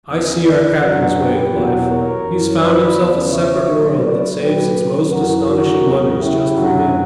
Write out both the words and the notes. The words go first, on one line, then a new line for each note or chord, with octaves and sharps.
"I see our captain's way of life! He's found himself a separate world that saves its most astonishing wonders just for him!"
E2 C#3 E3
B4 D5
F#2 D3 F#3
G4 B4
E2 B2 F#3
A#4 C#5
F#2 E3
B4 D5
E2 C#3 E3
C#5 E5
A#2 F#3
B4 D5
A#2 F#3 G4 B4
F#2 E3 F#4 A#4
F#4 A#4
E2 C#3 F#3
E4 G4
F#2 D3 F#3